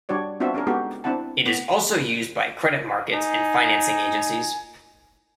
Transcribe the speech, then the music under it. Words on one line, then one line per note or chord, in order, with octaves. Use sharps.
It is also used by credit markets and financing agencies.
G3 D4 F#4 C#5 D5
B3 C4 D4 F4 F#4 E5
C#4 D4 G#4 A#4
G#3 B3 D#4 F#4 G4 A4
C4 D4 E4 F#5 A5
B3
D#4 G#5